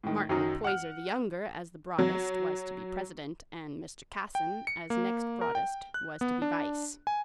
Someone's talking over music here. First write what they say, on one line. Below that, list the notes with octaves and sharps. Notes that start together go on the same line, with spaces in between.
Martin Poyser the younger, as the broadest, was to be president, and Mr. Casson, as next broadest, was to be vice.
A2 D#3
F#2 D#3 F#3 D#4
F#5 F6
F#3
G5
C#7
A#3
A#4
G5
F#6
B3
D4
G#5